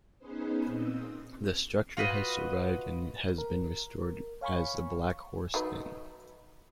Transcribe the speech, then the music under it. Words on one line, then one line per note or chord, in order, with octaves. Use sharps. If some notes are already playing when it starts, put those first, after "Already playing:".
The structure has survived and has been restored as the Black Horse Inn.
B3 C#4 D#4 G#4 B4 C5
A#2 C4 D#6 E6
F4 F#4 B4 D#5
A#4
C#5 F5 G#5 B5 C#6
F#3 D#4 B4